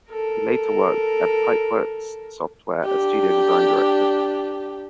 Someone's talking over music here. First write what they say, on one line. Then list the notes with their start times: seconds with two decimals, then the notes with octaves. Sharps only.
He later worked at Pipeworks Software as Studio Design Director.
0.11 A4 A#4
2.84 D4 G4